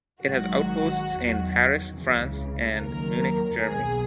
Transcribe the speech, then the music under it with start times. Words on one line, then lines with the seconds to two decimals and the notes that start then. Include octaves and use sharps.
It has outposts in Paris, France, and Munich, Germany.
0.22 G#1 G#2 D#3 F#3 F#4
1.07 E2 D#3 F#3
1.92 C#2 C#3 E3
2.77 D#2 D#3 F#3 A#4
3.62 B1 B2 F#3 G#4